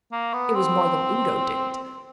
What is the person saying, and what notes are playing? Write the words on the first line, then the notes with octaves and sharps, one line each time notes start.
It was more than Udo did.
A#3
B3
C4